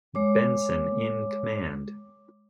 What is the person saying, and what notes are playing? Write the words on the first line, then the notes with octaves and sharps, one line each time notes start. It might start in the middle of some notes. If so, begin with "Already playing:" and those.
Benson in command.
G#3 C#5 D6